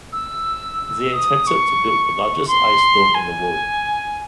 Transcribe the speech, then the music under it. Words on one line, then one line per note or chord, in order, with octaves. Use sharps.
They attempted to build the largest ice dome in the world.
E6
D#6
C#6
C6
G#5